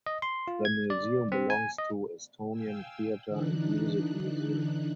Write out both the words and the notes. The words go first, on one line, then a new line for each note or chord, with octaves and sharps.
The museum belongs to Estonian Theatre and Music Museum.
D#5
C6
F4
G#6
D5
C4
G#5
D#5
F5 G5 G#5 E6
D3 E3 D4 D#4 F#6